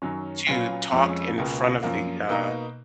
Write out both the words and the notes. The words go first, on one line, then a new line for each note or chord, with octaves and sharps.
to talk in front of the, uh
F#2 D#3 F#3 C#4
A#2 F#3 C#4 F4 B4
F2 F3 G#3 C#4
C#2 B2 A#3 F4 G#4
F#2 F3 A#3
B2 A#3 D#4